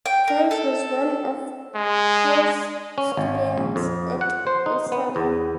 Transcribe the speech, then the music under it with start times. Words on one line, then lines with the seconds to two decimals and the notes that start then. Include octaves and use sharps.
Price was one of Perls's students at Esalen.
0.06 G5
0.28 A#4
0.51 A4
1.75 G#3
2.98 C#4
3.17 G#1
3.58 A#1
3.76 F2
4.21 F#5
4.47 C5
4.66 D#4
4.92 B3
5.16 E2